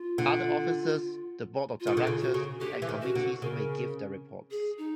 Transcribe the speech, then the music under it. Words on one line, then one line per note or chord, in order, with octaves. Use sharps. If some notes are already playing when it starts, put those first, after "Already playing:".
Other officers, the board of directors, and committees may give their reports.
Already playing: F4
D3
F4
D#3
D3
C#3
F#4
C#3
D3 G4
E3
D#3
F#4
D3
C#3 A#4
G#4
D#4